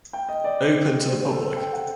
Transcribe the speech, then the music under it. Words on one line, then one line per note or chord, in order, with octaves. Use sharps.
Open to the public.
G5
D#5
D5
C5
C5
C5
A4
C5
G5
F#5